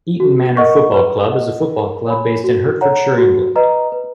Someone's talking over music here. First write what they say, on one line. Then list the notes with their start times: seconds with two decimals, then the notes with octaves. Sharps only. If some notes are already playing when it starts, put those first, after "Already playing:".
Eton Manor Football Club is a football club based in Hertfordshire, England.
0.20 F#4
0.57 A#4 D#5 F#5 C#6
0.94 B4
1.32 D#5 F#5
1.69 A#4
2.06 C#5 G#5 B5
2.44 F#4
2.81 C#5 F#5 A#5
3.18 F#4
3.56 B4 D#5 A#5
3.92 B4